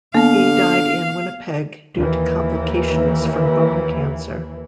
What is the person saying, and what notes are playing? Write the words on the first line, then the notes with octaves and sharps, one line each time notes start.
He died in Winnipeg due to complications from bone cancer.
D3 A#3 B3 F5
D#2 E3